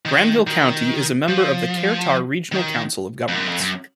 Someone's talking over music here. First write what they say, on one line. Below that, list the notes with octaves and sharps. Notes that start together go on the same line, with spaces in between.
Granville County is a member of the Kerr-Tar Regional Council of Governments.
D#3
D#3
F3
D#3
F2
F#2
F2
F#2